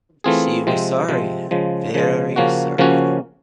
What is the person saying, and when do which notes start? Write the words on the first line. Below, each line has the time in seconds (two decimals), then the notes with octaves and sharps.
She was sorry, very sorry.
0.24 E3 A3 C4 F4 G#4
0.67 C3 F3 G#3 C4
1.09 C3 F3 G#3 C4
1.51 C#3 F3 G#3
1.94 C#3 F3 G#3
2.36 C#3 F3 A#3 C#4 F#4
2.78 C#3 F3 A#3 C#4 F#4